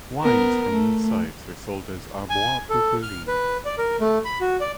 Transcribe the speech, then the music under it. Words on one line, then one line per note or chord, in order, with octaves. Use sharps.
Wines from these sites are sold as Arbois-Pupillin.
B3 A#4
A3
G#5
A4
F6
B4
D5
A#4
A3
B5
F#4
D5